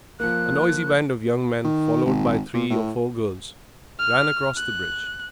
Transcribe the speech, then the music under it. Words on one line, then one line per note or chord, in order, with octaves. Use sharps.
A noisy band of young men, followed by three or four girls, ran across the bridge.
F3 A#3 F#6
D#3
G#1
A#2
A2
F6
F#6